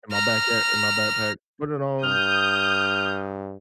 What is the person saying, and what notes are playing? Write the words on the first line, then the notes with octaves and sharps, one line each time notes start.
in my back a in my backpack, put it on,
A#5 F6
G2 D#6 F6 G6